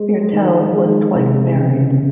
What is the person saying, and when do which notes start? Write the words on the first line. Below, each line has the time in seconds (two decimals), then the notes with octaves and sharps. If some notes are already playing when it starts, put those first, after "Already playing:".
Viertel was twice married.
Already playing: G#3
0.33 D#3
0.74 G#3
1.15 C3
1.55 C#3